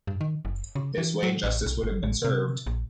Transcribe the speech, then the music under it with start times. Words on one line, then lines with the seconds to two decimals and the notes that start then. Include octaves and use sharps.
This way, justice would have been served.
0.07 G2
0.21 D#3
0.45 F#1
0.75 C#3
0.98 E3
1.23 F#3
1.43 A1
1.66 B1
1.83 G1
2.03 A1
2.25 C3
2.66 A#1